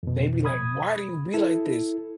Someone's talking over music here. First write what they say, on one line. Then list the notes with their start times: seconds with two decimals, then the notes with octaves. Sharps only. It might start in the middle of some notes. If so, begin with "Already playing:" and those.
They'd be like, "Why do you be like this?"
0.03 F2 B2
0.45 B5 D#6 G#6
1.34 E4 A4